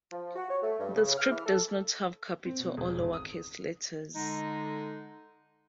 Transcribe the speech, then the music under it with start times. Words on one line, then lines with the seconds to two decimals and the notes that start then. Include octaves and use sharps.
The script does not have capital or lowercase letters.
0.12 F3
0.36 F#4
0.49 C#5
0.62 A3
0.79 G2
0.95 C#3
1.17 F6
1.30 E3
1.45 A4
2.45 C4
2.59 B2
2.77 E1
2.98 G#1
3.13 D#6
4.14 D3 G#3 D#4